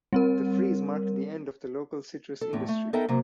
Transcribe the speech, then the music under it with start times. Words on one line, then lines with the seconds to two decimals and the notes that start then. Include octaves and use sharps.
The freeze marked the end of the local citrus industry.
0.13 G3 C4 A#4
2.41 A4
2.53 E2 A2
2.68 A3
2.93 B3 D#4 A4 A#4 E5 G5
3.08 C3 F#3 A#3